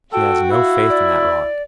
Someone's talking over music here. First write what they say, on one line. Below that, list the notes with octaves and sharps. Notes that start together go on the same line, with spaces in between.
He has no faith in that rot.
F#4 A4 G5
E4 F5
D5